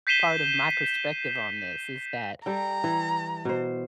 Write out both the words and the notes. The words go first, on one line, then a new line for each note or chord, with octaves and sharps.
part of my perspective on this is that,
G6 B6 C7 D#7 E7 G7
G3 A4 G5 A#5
E3
B2 C5